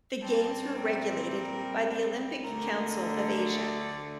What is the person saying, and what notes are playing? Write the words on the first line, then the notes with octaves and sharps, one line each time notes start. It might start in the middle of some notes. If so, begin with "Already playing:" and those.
The games were regulated by the Olympic Council of Asia.
A#2 G3 C4 A5
A#4
A#4
D2 D3 A3 A#4
A#4
D5